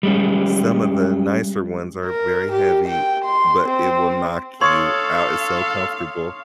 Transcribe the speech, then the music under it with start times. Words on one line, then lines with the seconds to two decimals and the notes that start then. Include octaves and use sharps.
some of the nicer ones are very heavy, but it will knock you out, it's so comfortable,
0.03 G3 G#3 C#4
2.05 A#4
2.52 G4
2.88 G5
3.25 C6
3.64 C4
4.61 A4 C#5 F5 C6 D#6 C#7